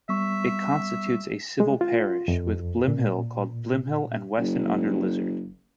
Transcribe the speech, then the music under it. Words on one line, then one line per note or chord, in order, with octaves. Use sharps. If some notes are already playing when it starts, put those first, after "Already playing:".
It constitutes a civil parish with Blymhill, called Blymhill and Weston-under-Lizard.
G3 B3 E5 C#6
G#3
F4
F2
A#2
F#1